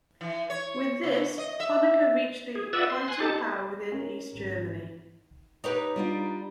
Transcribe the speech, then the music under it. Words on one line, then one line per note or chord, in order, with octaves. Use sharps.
With this, Honecker reached the height of power within East Germany.
E3
C#5
C#3
D#5
E5
G#4
F4 B4 D5 E5 F#5 E6
C6
G#5 C6 F#6
D#4 G4 A4 A5
C#4 A#4
G#1
D#4 G4 B4 C#5
G3 D4 F4